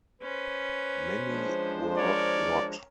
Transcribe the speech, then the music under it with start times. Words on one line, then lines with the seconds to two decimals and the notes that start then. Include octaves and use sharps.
Many were not.
0.22 C#4 B4 C5
1.26 F3 G#3 D4
1.97 A#4 C#5 D5